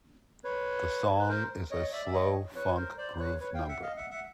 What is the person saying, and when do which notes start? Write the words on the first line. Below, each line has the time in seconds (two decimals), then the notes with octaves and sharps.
The song is a slow funk groove number.
0.44 B4 C#5
1.19 B4
1.29 A#4 C5
1.71 C#5 D#5
1.92 D5 E5
2.06 E5
2.13 C#5 D#5
2.55 B4 C#5
2.77 A#4 C5
2.98 C5 D5
3.19 B4 C#5
3.40 B4 C#5
3.54 F5 G5
3.68 E5 F#5
3.82 D#5 F5
3.97 E5 F#5
4.10 E5 F#5